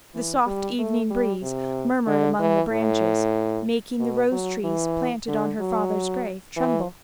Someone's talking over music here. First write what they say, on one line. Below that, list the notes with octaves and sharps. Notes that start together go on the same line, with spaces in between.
The soft evening breeze murmured among the branches, making the rose trees planted on her father's grave tremble.
E3
G3
A3
G3
C3
D3
E3
A2
B2
F#3
E3
D3
F#3
E3